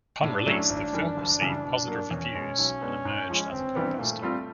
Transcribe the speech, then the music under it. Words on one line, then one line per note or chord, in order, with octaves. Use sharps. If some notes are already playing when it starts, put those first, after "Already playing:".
Upon release the film received positive reviews, and emerged as a blockbuster.
A2 D4
F#3 A3 C#4 E4
G#1
F#2 D#3 G3
F#1
F#2 C#3 E3 G3
B2
F#3 A#3
E2 C#4
B2 G#3
B1
B2 G#3 B3 D4
G#2
F3 G#3
G1 C4
G2 E3 G3 B3
A#2 A3
G3 C4 F4